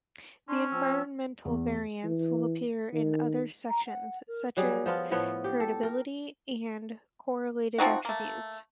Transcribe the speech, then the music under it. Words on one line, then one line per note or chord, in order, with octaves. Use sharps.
The Environmental variance will appear in other sections, such as "Heritability" and "Correlated attributes".
C#4 D4 C6
F3 C4 E6
E2
E3
D#3
A#5
F#5
A#4
F#3 G3 G#4
F3 B3 F4
A2 F3 B3 C#5
G4
A4
A#4
F3 C4 D#4 F#4
A3 A#3